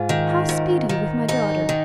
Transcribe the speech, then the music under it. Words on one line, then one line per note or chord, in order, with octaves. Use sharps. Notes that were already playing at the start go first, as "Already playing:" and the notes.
"How speed you with my daughter?"
Already playing: G#2 F4
D#3
G#2
D#3
G#2 D#4
D#3